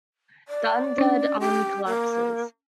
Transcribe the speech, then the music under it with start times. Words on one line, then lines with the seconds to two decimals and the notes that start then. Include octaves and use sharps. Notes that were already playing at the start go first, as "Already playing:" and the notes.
The undead army collapses.
0.48 D5
0.98 C#4 D4
1.40 G4
1.86 A#3